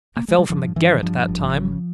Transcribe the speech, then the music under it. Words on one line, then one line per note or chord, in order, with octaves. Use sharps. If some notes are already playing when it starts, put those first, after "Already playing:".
I fell from the garret that time.
A#3
G#3
G3
G2 F3
G2 E3
G2 F3
G#1
C#3